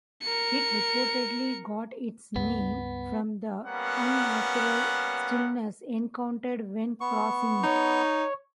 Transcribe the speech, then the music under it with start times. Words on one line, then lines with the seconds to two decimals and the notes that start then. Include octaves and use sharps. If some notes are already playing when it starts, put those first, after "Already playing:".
It reportedly got its name from the unnatural stillness encountered when crossing it.
0.22 A#4 C#7
2.36 C#2 G2 B3
3.65 G3 A#3 B3 C#4 F#5
7.01 B3 C#6
7.63 D#4 C#5